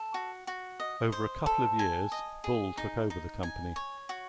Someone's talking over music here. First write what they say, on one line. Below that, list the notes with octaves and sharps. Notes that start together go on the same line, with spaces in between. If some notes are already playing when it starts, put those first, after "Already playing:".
Over a couple of years, Bull took over the company.
Already playing: A4
F#4
F#4
D#5
C5
A4
G#5
D#5
G#4
D#4
D#4
G#5
C#5
F#4